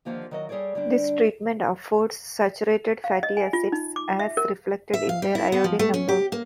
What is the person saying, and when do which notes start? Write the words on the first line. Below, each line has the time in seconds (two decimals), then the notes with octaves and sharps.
This treatment affords saturated fatty acids, as reflected in their iodine number.
0.05 D3 D#3 F3 A#3 G4
0.31 D#3 F#3 D#5
0.49 G3 G#4 A4 C#5 D5
0.75 D3 G3 D4
3.04 F5
3.23 D#5
3.37 G#5
3.53 F4
3.72 D#4
3.96 D6
4.19 E5
4.37 A#4
4.93 E5
5.09 F5
5.22 G3
5.35 E4
5.52 B3
5.64 F3
5.79 A3
5.94 C#4
6.09 G4
6.32 A#3